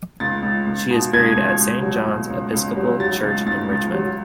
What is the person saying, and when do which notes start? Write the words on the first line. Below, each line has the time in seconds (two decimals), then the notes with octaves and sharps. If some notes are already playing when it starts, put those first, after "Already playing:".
She is buried at Saint John's Episcopal Church in Richmond.
0.20 C#2 A6
0.42 C#2
0.66 C#2
0.90 B2
1.13 C#2 G#6
1.36 C#2
1.60 C#2
1.83 F#3
2.07 B2
2.30 C#2
2.53 C#2
2.77 F#3
3.00 F#3 A6
3.23 C#2
3.46 C#2 A6
3.70 C#2
3.94 F#3